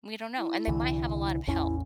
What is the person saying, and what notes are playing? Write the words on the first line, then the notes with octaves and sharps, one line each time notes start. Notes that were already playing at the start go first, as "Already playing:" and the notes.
We don't know, and they might have a lot of help
E4
C2 D3 E3
A1 E2 C#4 E4